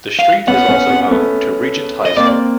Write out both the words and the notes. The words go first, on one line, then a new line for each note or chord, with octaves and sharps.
The street is also home to Regent High School.
F5
B3 C#4 F#5
B3 C#4
B3 C#4
A3 B3
D#5
A#3 C4 D5